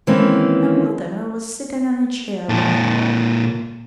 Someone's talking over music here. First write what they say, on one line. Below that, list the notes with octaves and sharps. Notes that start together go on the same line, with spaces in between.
Her mother was sitting on a chair by the wall.
D#3 E3 G#3 A#3 C4 C#4
A#2 A4